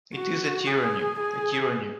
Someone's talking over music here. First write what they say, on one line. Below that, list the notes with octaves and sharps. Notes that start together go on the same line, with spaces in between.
It is a tyranny — a tyranny.
F#4
G#4
G#4